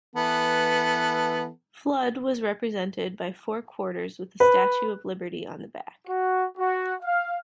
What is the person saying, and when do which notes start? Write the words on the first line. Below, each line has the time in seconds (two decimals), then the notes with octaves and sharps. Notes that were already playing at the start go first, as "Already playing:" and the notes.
Flood was represented by four quarters with the Statue of Liberty on the back.
0.16 E3 B3 A4
4.40 B4
6.08 F#4
6.58 F#4
7.03 F5